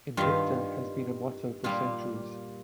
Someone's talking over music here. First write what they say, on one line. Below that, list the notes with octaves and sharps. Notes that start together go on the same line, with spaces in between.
"Invicta" has been a motto for centuries.
G2 D#3 G3 F4
A#2 G3 A#3 F4